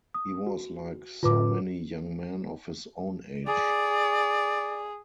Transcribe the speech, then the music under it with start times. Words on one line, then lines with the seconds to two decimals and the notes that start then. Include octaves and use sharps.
He was like so many young men of his own age.
0.14 D#6
0.47 F#4
1.23 A2 D3 F4 B4 D6
3.47 G#4 D5